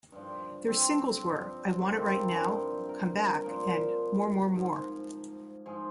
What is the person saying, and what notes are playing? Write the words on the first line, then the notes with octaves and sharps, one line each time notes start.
Their singles were "I Want It Right Now", "Come Back" and "More More More".
G2 F3
C4
G2 F3
A#3
C4
E4
A#4
G2 F3
A#4
A#2 F3 A#4
G#2 F3
G#2 F3 G#4